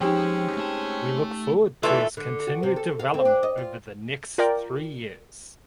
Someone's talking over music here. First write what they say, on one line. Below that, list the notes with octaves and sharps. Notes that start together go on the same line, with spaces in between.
We look forward to his continued development over the next three years.
F3 G#3 C4 C#4 D#4 G4 G5
A3 A5
B2 D3 E3 A3 F4 A4 E5
D3
F#4
C3
A4
F5
C4
D4
D#5
F4
F4 A#4 D5 G5